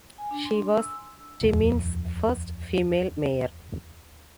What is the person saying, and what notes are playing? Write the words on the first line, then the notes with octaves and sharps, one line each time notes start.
She was Timmins' first female mayor.
G#5
D4
C6
E6
D#1 F2